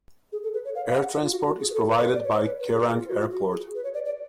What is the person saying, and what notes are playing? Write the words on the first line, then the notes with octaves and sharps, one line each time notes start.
Air transport is provided by Kerang Airport.
G#4
A4
B4
C#5
F5
F5
F#5
F4
F#4
F#4
G#4
B4
A4
B4
C#5
B4
D5
C#5
C#5
B4
B4
G#4
F4
F4
F#4
F4
F#4
G#4
B4
C#5
D5
D5